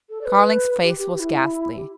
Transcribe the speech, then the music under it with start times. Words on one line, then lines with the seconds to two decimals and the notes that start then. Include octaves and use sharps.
Carling's face was ghastly.
0.10 A4
0.21 D5
0.26 B4
0.83 G4
0.98 G4
1.15 G4
1.20 E4
1.76 G4